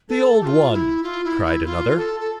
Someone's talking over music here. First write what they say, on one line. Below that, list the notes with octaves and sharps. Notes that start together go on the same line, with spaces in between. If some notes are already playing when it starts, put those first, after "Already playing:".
"The old one," cried another.
A4
G4
F4
E4
F4
E4
E4
F4
A4
A4